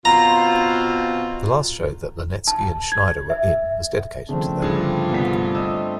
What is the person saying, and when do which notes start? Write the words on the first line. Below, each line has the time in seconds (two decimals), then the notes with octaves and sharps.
The last show that Linetsky and Schneider were in was dedicated to them.
0.05 B2 C4 F4 A#5
2.47 A5
2.92 G#6
3.30 E5
4.29 C#3 F3 A3 C4 D4
4.62 G2 D3 G3 F4 G#4
5.11 C2 B3 B6
5.55 D#5 D#6 E6